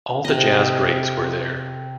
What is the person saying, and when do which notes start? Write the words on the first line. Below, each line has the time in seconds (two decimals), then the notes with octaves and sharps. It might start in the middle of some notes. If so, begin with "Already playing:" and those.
All the jazz greats were there.
0.25 C3 D#5